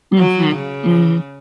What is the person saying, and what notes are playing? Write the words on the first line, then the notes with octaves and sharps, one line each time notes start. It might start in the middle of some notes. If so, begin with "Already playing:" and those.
Mhm, mhm.
F#3
C#3